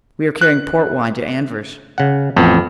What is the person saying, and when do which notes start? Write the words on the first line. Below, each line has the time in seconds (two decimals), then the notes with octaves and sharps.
"We are carrying port wine to Anvers."
0.41 F#6
1.98 C#3 F#5
2.37 A1 F2 B3